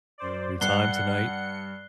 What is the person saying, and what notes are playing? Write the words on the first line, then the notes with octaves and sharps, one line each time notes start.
your time tonight,
F#2 C5 D5
G2 F#5 F#6 C7 C#7 G7